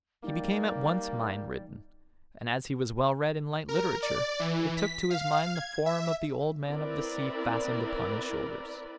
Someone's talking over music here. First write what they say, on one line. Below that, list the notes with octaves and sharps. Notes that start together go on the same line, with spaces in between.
He became at once mine-ridden, and as he was well read in light literature it took to his mind the form of the Old Man of the Sea fastened upon his shoulders.
G3 A#3 D#4
A#4
D5
E3
B6
F5
G#6
E5
C4 E4 A#4 B4 D5